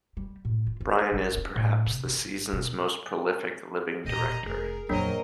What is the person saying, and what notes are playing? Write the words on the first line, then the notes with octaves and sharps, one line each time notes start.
Brian is, perhaps, the season's most prolific living director.
G3
A2
F4
F4
G#1
C#4
A2
C3
G#1
B2
D#1 B2 G4 D#5 A#5
F1 G#4 A#4
D#1 F2 F#3 A#3 D4 A#4 C5 D#5